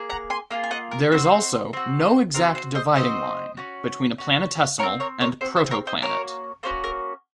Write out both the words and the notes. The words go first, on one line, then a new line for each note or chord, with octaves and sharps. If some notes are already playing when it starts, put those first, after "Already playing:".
There is also no exact dividing line between a planetesimal and protoplanet.
Already playing: A#3 G#4
F#5 A#5
G#5 C6
A#3 F4 G#4
G#5
D#5 F#5
A#4
C4 F#4 C5
C4 F#4
C4 F#4 A#4
C5
C5 D#5
C4 F#4 C5 D#5
C#4 F#4
C#4 F#4
C4 F#4 A#4 C#5
A#4 C#5
A#4 C#5
C4 F#4 C5
C5
A#4 C#5
C5 D#5
A#3 C#4 F#4 A#4 C#5
A#3 C#4 F#4 C5
A#4